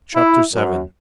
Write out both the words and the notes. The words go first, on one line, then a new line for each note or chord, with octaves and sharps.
Chapter VII.
E4
F#2